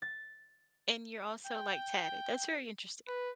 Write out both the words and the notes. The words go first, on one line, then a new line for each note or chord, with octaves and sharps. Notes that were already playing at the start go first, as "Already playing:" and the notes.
and you're also, like, tatted, that's very interesting.
A6
G5
B4